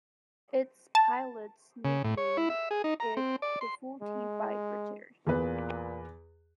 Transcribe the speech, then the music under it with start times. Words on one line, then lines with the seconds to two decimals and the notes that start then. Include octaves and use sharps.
Its pilots nicknamed it the Vultee Vibrator.
0.95 A5
1.85 C#3
2.04 A2
2.17 C#5
2.37 E4
2.50 E5
2.71 G#4
2.84 D#4
3.00 A#5
3.17 C4
3.42 D5
3.61 C6
4.02 G#3
5.27 E2 A#2 B4